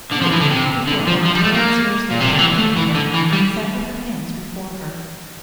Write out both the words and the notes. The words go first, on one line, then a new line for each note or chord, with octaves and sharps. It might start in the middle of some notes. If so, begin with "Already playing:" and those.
Ruth, who for a long time had scarcely taken up a needle, sat with her hands before her.
D3
F3
E3
D3
C3
D3
F3
F3
G3
A3
A#3
A#2
C3
D3
E3
A3
E3
D3
E3
G3